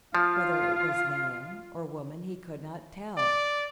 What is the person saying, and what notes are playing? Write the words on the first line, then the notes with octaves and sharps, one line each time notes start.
Whether it was man or woman he could not tell.
F3 F4 F5
D5